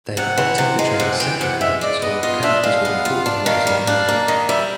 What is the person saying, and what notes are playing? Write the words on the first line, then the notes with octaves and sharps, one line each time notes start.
They are often portrayed as central characters or characters with important roles in manga.
C3 F#5
E3
C3
G#3
F5
C3 F#5
E3 G5
C3 F#5
G#3 E5
G#3 D5
B3 D#5
F4 D#5
D4 E5
G#3 F5
B3
F4
D4
D#3 F5
G3
D4 F5
A#3
D#3 D#5
G3 E5